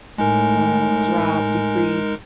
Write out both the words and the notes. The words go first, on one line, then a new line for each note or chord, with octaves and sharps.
uh, drop, decrease.
A2 G#3 D#4 A#4 G#5